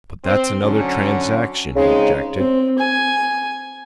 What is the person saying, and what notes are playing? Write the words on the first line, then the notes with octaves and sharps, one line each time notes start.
"But that's another transaction," he objected.
C4
D3 F#3 C#4
C#3 G#3 C4 D#4
C4
G#5